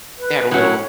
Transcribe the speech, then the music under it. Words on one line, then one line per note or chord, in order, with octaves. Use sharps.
they had a little
B4
A2 F#3 C#4 F#4 C#5